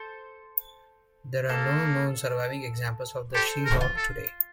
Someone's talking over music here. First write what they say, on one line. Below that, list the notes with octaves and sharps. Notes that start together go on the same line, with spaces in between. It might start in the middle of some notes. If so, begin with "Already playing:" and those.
There are no known surviving examples of the Seahawk today.
Already playing: A4 C5
A#3 F4 A4
G4 A4 C5
A#4
F4
A4